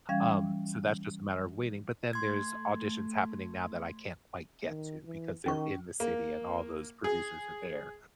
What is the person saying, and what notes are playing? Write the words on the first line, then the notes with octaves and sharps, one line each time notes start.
um, so that's just a matter of waiting, but then there's auditions happening now that I can't quite get to because they're in the city and all those producers are there,
E3 G3 C#4 F5 G#6
A3 C6 G#6
D#3
E3
D#3 C#4 C#6
A#3
G#4